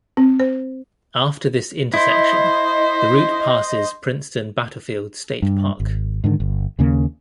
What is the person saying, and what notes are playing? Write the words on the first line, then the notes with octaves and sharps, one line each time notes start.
After this intersection, the route passes Princeton Battlefield State Park.
C4
C5
E4 C5 D#5
G2
G#1
G#2 D3 D#3
G1
D#2 C#3 A#3